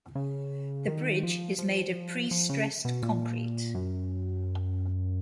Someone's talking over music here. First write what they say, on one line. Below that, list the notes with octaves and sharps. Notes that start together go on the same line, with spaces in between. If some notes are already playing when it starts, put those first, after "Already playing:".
The bridge is made of prestressed concrete.
C#3
D#3
F3
F3
F3
C#3
B2
A#2
F#2